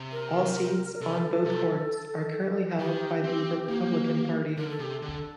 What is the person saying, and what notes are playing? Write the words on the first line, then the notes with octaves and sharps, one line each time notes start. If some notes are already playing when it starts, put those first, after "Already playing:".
All seats on both courts are currently held by the Republican Party.
Already playing: C3
A#4
A#4
C3 A4
C3
D#3 G4
C4
A#3
D3 A#4
A4
C3 G4
A4
D3